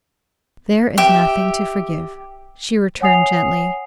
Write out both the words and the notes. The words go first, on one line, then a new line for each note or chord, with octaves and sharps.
"There is nothing to forgive," she returned gently.
G4 E5
C#5 F#5 G#5 D#6 C7 F7